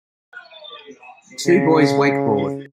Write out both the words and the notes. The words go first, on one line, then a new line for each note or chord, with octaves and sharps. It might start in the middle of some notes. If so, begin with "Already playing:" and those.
Two boys wakeboard.
C#3